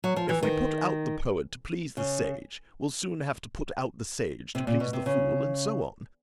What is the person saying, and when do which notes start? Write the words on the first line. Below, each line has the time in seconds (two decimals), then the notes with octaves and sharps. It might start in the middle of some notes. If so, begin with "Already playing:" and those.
If we put out the poet to please the sage, we'll soon have to put out the sage to please the fool, and so on.
0.04 F#3
0.16 F3
0.29 E3
0.43 D#3
1.97 C#3
4.55 C3
4.67 A#2
4.80 B2
4.93 C3
5.06 C#3